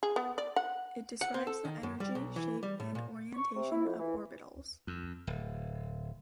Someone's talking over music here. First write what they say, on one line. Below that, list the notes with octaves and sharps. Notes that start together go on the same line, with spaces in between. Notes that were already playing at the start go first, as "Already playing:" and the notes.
It describes the energy, shape and orientation of orbitals.
G#4
B3
D5
F#5
F#5
C4
A4
D#3
F#2
G3
B1
E3
G3
A2
A#2
C#6
C3
E4
F2
E3
F2
D1